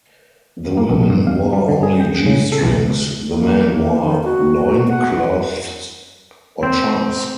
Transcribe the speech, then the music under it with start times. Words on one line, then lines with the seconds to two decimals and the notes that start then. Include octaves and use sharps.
The women wore only G-strings; the men wore loincloths or trunks.
0.77 A#3
0.90 A#1
1.10 G2
1.27 F5
1.53 G3
1.69 D3
1.83 G#4
2.00 G5
2.26 C#3
2.52 A4
2.63 B1
3.32 A#3
3.74 A#3
4.00 D#3
4.24 F#4
4.88 F#5
6.63 C4